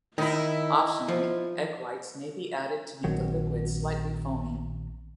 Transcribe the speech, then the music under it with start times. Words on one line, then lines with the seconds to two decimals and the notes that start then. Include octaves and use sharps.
Optionally, egg-whites may be added to make the liquid slightly foamy.
0.18 D#3 D#4 E4
1.08 F3
3.04 A#1 D#3 F#3 C4